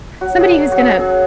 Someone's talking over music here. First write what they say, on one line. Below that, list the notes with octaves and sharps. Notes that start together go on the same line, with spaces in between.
somebody who's gonna
F#3 F#4
A#3 G#4
F#3
F#4
C#4 G#4
F#3 G#4